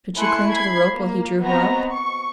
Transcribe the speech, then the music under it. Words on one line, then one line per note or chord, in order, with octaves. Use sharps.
Could she cling to the rope while he drew her up?
A3 E4 G#5 C6 F#6 C#7
B5 G#6 C7
A#3
B3 C4 F#4 D#5 A#5
C#6